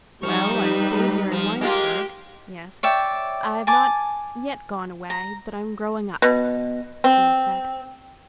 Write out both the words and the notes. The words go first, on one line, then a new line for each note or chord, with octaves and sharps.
"Well, I've stayed here in Winesburg--yes--I've not yet gone away but I'm growing up," he had said.
F3 G3 D#4 C#6
B4
F3
G#3 A#3 F4 G4
C#5 D5 E5 G5
G#5 A5 D6
A#5
B2
C4